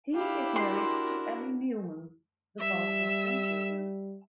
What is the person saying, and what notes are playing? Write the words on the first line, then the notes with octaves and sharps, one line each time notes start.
He is married to Ali Neeleman the father of ten children.
D4 E4 G4 F5
F#4 A#4 C6
G3 E5 E6